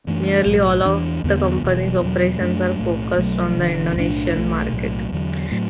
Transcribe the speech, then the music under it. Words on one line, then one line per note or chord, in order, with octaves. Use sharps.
Nearly all of the company's operations are focused on the Indonesian market.
F#2 E3 A3 D4
B1 A2 F#3
E2 E3 D4
E2 D3 B3
E1 E2 B2 F#3
E2 B2 F#3
F#2 F#3 A3 D4
B1 A2 A3
B1 B2 F#3 A3
E1 E2 D3
B1 A2 E3 D4
B1 B2 A3
B1 A2 F#3
E2 D3 F#3
A2 F#3